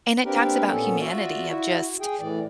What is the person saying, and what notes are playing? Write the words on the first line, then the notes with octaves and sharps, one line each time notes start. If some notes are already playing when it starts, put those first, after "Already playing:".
And it talks about humanity of just
A#3 C4 D4 G4 A#4 B4
A#2 B3 C#4 A4
F4 F#4 D5 E5
E4 F#4
G#4 G5
A2 E3 D5